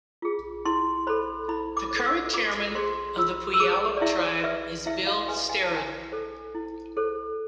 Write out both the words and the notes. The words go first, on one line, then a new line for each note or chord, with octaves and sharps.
The current chairman of the Puyallup Tribe is Bill Sterud.
F4 G#4
E4 C6
A4 C5 B5
E4 B5
D6
A4 C5
E6
F4 D6
G#4 C5 C6
F4 E6
E6
G#4 C5 D6
D5
E4 E5
B4 E5
E4 E5
F5
B4 G#5
G#5
A5
E4
G#5
A4 C5
E4
A4 C5